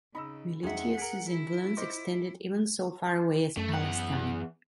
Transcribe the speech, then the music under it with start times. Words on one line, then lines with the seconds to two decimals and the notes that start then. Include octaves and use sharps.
Meletius's influence extended even so far away as Palestine.
0.15 C#3 D#4 D#5 B5 E6
0.63 F2 G#3 D#4 G#4 E5 F#5
0.97 G#4 A#4 B6 D7 F#7
1.29 E4
1.77 F4 C5 D#5 D6
3.57 F#2 A3
3.74 E2 F#5